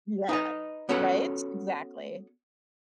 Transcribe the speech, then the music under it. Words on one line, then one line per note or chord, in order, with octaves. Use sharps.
yeah, right? Exactly.
D#4 B4 D#5
B3 C#4 F#4 A4 B4 F#5